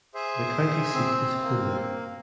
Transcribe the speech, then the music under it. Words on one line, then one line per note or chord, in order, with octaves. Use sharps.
The county seat is Homer.
G#4 C5 E5
C4
A#3